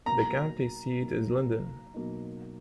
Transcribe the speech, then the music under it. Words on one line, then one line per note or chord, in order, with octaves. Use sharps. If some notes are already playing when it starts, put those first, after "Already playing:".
The county seat is Linden.
B2 F#3 A#3 D#4 A#5
B2 F#3 A#3 D#4
B2 F#3 A#3 D#4